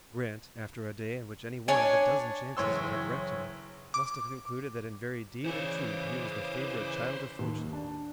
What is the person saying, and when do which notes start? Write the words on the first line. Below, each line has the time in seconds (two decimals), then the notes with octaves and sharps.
Grant, after a day in which any one of a dozen chances would have wrecked him, must have concluded that in very deed and truth he was the favorite child of Fortune.
1.68 D4 C#5 G#5
2.57 F#1 E3 C#5 C6 E6
3.94 D6
5.45 C#3 E3 C5 C#5 D6
7.39 D#2
7.73 D4